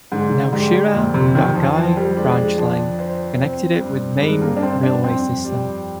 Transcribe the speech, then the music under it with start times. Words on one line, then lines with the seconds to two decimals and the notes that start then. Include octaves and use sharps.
Nowshera-Dargai Branch Line connected it with main railway system.
0.12 G#2 D3
0.52 G#2 G3
0.93 F2 A#2
1.14 C3
1.35 F2 D#3
1.55 F3
1.76 F3 C5
1.97 G3
2.17 G#3 D4
2.37 G#3
2.58 F3 D4
2.99 C5
3.40 C4
3.81 G2
4.21 G2 G#3
4.42 A#3
4.57 D4
4.63 G2 C4
4.83 D4
5.04 F2 C4
5.44 G3